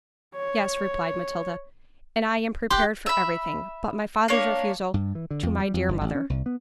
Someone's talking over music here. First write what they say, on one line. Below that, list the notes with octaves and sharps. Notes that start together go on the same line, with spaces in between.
"Yes," replied Matilda, "and I am prepared for every thing, but my father's refusal to my dear mother."
C#5
G4 C6 F#6
E5 B5
A#3 D4 C#5
G2
E3
D3
F2
G3
F2
G1
A1
C#4
C2
B3